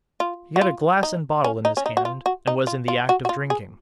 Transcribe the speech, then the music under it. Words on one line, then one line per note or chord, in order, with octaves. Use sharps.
He had a glass and bottle in his hand, and was in the act of drinking.
F4
F#4
F4
D#4
C#4
D#4
C#4
D#4
F#4
F4
F#4
D#4
F4
F4
F#4
F#4
F4
G#4